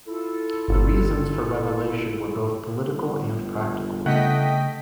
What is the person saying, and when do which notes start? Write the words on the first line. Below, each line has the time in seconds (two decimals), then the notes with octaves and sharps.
The reasons for revelation were both political and practical.
0.07 E4 F4 A4
0.68 G1
2.89 G1
4.06 C#3 A3 D#5 F#5 G5 F#6 B6